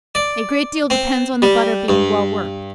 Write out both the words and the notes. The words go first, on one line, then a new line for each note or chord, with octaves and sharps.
A great deal depends on the butter being well worked.
D5
C4
G3
G2